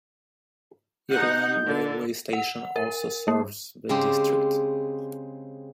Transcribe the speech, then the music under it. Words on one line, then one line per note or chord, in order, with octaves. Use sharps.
Irlam railway station also serves the district.
D#4 F#5 G6
D3
F#5
A#4
A#3
C#3 G#3 C4 G4